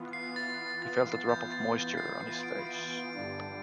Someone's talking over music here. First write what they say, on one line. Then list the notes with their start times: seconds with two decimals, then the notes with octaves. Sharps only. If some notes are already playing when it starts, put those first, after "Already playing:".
He felt a drop of moisture on his face.
Already playing: E3 B3 F4
0.13 C7
0.36 A6
0.82 A6
1.29 G6
1.52 A6
1.97 C7
2.20 C7
2.43 D7
2.67 D7
2.90 D7
3.13 G2 D3 G3 D4